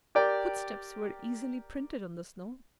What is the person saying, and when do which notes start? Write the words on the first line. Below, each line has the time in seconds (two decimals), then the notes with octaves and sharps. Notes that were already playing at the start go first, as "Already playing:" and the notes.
Footsteps were easily printed on the snow!
0.15 G4 A#4 D5 G5